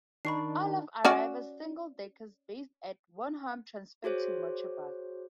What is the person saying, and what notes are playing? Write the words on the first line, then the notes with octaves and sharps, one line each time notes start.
All of Arriva's single deckers based at Warnham transferred to Metrobus.
D#3 D4 D#4 B5 C#6 C7
C#4 F#4 D5
F#4 G#4 C5 C#5